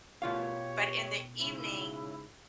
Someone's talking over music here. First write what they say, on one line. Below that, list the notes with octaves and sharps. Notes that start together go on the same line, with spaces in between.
But in the evening
B2 F4 G4 C#5 F5
G#2 C#3 E4